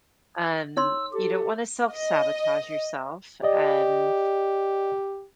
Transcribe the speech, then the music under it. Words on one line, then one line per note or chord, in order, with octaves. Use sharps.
um, you don't wanna self-sabotage yourself, and
D#4 C#5 C6 E6
G4 A4
D#5
G4 D5 D#5